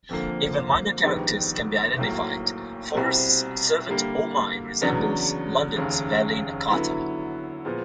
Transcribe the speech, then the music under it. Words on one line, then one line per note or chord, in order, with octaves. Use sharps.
Even minor characters can be identified; Forrest's servant Oh My resembles London's valet Nakata.
F2 D3 F3 A#3
A#1 G#2 D#3 G3 B3
B1 A2 F#3 A#3
C2 B2 G3 C4
D3 G3 A#3
E2 C#3 F#3 B3 D4
F1 D#2 C#3
D3 F#3 B3 E4
A#2 F3 G#3 B3